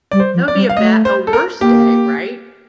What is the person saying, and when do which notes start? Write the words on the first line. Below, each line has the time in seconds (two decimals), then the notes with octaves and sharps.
that would be a bad a worst day, right?
0.11 G3 D5
0.20 C5
0.34 F3
0.48 D5
0.55 G3
0.70 F5
0.77 A3 D#5
1.05 C5
1.27 A4
1.33 A#4
1.61 A#3 G4